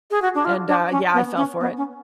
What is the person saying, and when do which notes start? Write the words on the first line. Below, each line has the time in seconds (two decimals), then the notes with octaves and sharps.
and, uh, yeah, I fell for it,
0.11 G#4
0.22 F#4
0.35 D4
0.45 F4
0.68 D4
0.91 C#4
1.14 B3
1.36 C#4
1.60 B3
1.77 C#4